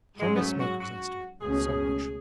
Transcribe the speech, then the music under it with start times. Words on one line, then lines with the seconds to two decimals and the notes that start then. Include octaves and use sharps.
Harness-maker's estimate, so much.
0.20 G#2 F#3 G#3 C#4
0.36 B3
0.41 A3
0.60 F#4
0.81 F#4
1.41 C#2 B2 A3 C#4 G#4